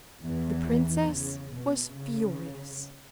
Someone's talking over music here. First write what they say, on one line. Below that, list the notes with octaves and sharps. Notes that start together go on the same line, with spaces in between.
The princess was furious.
E2 E3
C#3
B2
C#3